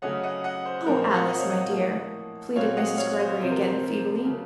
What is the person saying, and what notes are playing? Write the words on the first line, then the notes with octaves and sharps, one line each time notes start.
"Oh, Alice, my dear," pleaded Mrs. Greggory again, feebly.
C#3 F#3 A3 C#4 D#5 F#5
D#5 F#5
D#5 F#5
C5
A#2 F3 C4 A#4
C5
F#5 A#5
C5 D#5
C#5 F5
D#5 F#5
D#5 F#5
A2 F3 A#3
A#2 F#3 C4 C#5 F5
D#5 F#5
C#5 F5
C5 D#5
C3 F3 C4 C5
A#4
C5
C5
A#4
C#3 F#3 A3